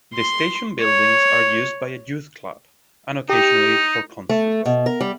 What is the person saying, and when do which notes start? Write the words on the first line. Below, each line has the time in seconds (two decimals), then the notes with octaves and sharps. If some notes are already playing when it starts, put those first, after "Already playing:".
The station buildings are used by a youth club, and occasionally for concerts.
0.14 C6
0.80 C#5
3.29 D#4 G4
4.29 A3
4.65 B2
4.86 A#4
5.01 G3